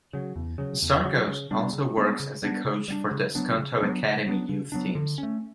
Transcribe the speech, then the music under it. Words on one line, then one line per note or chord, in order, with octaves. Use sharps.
Starkovs also works as a coach for the Skonto Academy youth teams.
C#3 F#3
E2
C#3 F#3
E2
C#3 F#3
C#3
G3 B3 D4
C#3
G3 B3 D4
C#3
G3 B3 D4
C#3
G3 B3 D4
C#3
F#3 B3 D4
C#3
F#3 B3 D4
C#3
F#3 B3 D4
C#3
F#3 B3 D4
D3
A3 C#4